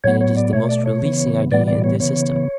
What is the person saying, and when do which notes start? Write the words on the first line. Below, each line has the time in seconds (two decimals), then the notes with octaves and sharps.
And it is the most releasing idea in the system.
0.04 A2 F#3 B3 C#5
0.21 C#5
0.37 D5
0.53 B2 A3 C#5
0.69 D5
0.86 C#5
1.03 C#3 E3 B3
1.52 A2 E3 G3 B3 D5
1.67 D5
1.84 C#5
2.00 C#3 E3 B3 C#5